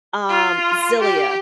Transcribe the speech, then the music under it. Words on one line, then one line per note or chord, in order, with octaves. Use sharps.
um, Xillia.
F4
G4